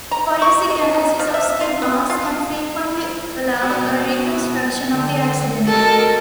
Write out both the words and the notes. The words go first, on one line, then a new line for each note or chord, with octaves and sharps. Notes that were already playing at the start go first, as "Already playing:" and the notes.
Forensic analysis of skid marks can frequently allow a reconstruction of the accident.
A#5
C#6
D#5
D#4
F3
E5
F4
B3
F4
B3 F#4
D3
F#4 A4 A#4 D#5